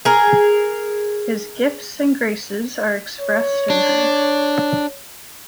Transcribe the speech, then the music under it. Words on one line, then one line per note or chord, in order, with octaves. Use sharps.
His gifts and graces are expressed in her.
G#4 A#4
C#5
D4